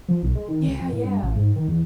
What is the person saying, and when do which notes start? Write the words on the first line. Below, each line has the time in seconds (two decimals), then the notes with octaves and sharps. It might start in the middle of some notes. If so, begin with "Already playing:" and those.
Yeah, yeah.
0.09 F3
0.23 B1
0.35 G#3
0.48 D#3
0.67 C#2
0.79 F2
0.92 A2
1.04 G2
1.23 A1
1.36 G#2
1.56 D#3
1.68 E2